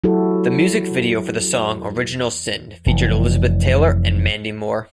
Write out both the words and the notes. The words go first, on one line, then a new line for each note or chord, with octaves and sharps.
The music video for the song "Original Sin" featured Elizabeth Taylor and Mandy Moore.
F#3 E4 F#4 G4 A4
F1 E3